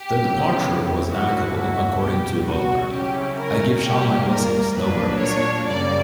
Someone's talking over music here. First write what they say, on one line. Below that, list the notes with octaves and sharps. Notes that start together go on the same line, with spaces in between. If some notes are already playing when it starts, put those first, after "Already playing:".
The departure was amicable according to Vollmer: I give Sean my blessings, no worries.
Already playing: G4
D2 C#3 F#3 B3 E4
G2 F#3 A#3 E4 F#4
F#4
C#2 B2 G3 G4
F#4
C#3 F#3 C#4 E4 G4
A#4
A#2 G3 A#3 G4
A#4
A#2 F#3 A#3 D4 B4
C#5
F#2 C#3 G3 A#3 D5